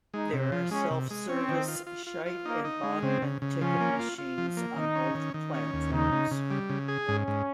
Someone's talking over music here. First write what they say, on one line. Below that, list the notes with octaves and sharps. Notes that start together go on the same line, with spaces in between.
There are self-service Scheidt and Bachmann ticket machines on both platforms.
G#3 D#4
C3
F3
G#3 C#4
C3
G#3
C4 C#4
D#3
F4
F4
F4
F4
A#3 D#4
D#4
G#3
C#3 C4
C#3
C#3
F3 C#4
A#3
F4
F4
F3
A#3
D#3 D#4
C#4
D#3
D#3
C#4
D#2
C#3 D#4
C#3
C#3
G3
C#3
G#4
G#2 C#4
G#2